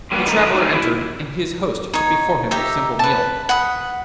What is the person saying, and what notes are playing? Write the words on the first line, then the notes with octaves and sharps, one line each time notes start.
The traveller entered, and his host put before him a simple meal.
F#3 G3 A#3 B3 D4 F#4
D3 D#3 F3 B3 A4 A#5
D3 F#3 A3 C4 C#4 D#4
E4
D#4 C#5
D#4 G4 E5 A#5
B4 A5
F#5 B5 D#6